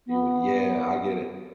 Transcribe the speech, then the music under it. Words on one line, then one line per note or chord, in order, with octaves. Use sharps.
You yeah, I get it.
B3